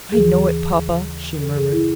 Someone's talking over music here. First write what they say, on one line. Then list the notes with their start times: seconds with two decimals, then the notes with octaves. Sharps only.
"I know it, papa," she murmured.
0.12 D#2 C#3 E3 G#4
0.76 D#2 C#3 E3
1.40 F#2 C#3 E3 A4
1.57 G#4
1.72 E4